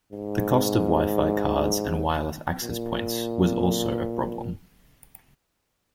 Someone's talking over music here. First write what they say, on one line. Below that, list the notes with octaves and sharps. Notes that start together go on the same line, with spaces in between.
The cost of Wi-Fi cards and wireless access points was also a problem.
G#2
A#2